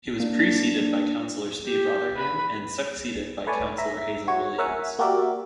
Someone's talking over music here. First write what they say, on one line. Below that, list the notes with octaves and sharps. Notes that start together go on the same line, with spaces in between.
He was preceded by Councillor Steve Rotherham and succeeded by Councillor Hazel Williams.
A#3 D4
G4
B4 B5
A3 B4 C#5 D5 G#5
E5 A#5
F#4 C#5
A#4 C#5 E5 F#5 G#5
A#3 F#4 G4 A#4 D5 E5